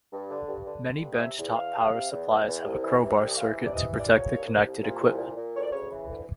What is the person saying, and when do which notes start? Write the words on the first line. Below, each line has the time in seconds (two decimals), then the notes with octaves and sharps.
Many bench top power supplies have a crowbar circuit to protect the connected equipment.
0.11 G2
0.29 D3
0.47 G2
0.65 D3
0.84 D3
1.01 G2
1.13 D#5
1.20 C3 E5
1.38 E2
1.56 E2 F5
1.74 E2
1.92 C3
2.11 E2
2.29 E2
2.47 E2
2.65 C2
2.82 E3
3.01 C3
3.18 C2
3.37 E3 F5
3.55 C3
3.65 D5
3.73 E3 D#5
3.92 C3
3.99 D5
4.09 A#2 C#5
4.27 C2
4.45 C2
4.63 C2
4.82 A#2
4.99 C2
5.17 A#2
5.36 A#2
5.55 D2 C#5
5.62 D5
5.71 C#3 C#5
5.91 E3
6.09 D2